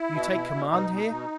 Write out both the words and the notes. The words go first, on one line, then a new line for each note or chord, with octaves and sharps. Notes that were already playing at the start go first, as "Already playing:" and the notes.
"You take command here?"
Already playing: E4
B2
B2
B2
B2 D#4
B2
B2